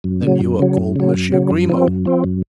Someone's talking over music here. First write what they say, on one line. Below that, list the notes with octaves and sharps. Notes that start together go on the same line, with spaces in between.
"Then you are called Monsieur Grimaud?"
F#2
C#3 F#3
F#2
C#3 F#3
F#2
C#3 F#3
F#2
C#3 F#3
F#2
F3 C4
F#2
F3 C4
F#2